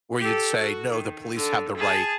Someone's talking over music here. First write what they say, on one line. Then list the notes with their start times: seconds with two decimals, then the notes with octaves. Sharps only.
where you'd say, "No, the police have the right
0.19 G4 A4
0.58 F#4
0.91 D#3
1.36 D3
1.77 G#4 A5